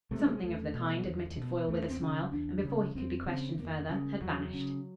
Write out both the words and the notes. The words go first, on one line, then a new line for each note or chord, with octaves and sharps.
"Something of the kind," admitted Foyle with a smile, and before he could be questioned further had vanished.
C3 A3
G#3
G3
G#3
E2 A3
B2
E2
B2
E2 A3
C4
C#3 C#4
E2 D4
C#3
F2 C4
C#3 C4
F2 A#3
C#3
E2 F#3
C#3